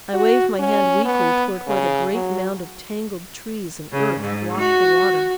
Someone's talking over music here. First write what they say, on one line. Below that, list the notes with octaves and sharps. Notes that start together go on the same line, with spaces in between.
I waved my hand weakly toward where the great mound of tangled trees and earth blocked the water.
F#4
C#4
B3
C#3
F#3
C#3
G#2
F#4